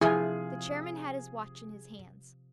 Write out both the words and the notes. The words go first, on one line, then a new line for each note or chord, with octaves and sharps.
The chairman had his watch in his hands.
C3 F3 E4 F4 G#4 G#5